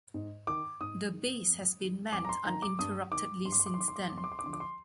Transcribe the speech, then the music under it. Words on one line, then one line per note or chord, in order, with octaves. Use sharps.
The base has been manned uninterruptedly since then.
G#2
D#3 D6
G#2 D#6
D#3
F2
D#3
F2 D6
A#5
C6
D#3 A#5
D6
G2 D#6
D#3 D6
G2 C6
D6
C6
D6
C6
D#3 D6
C6
D6
C6
F2 D6
C6
D6
C6
D6
D3 F3 C6
D6
C6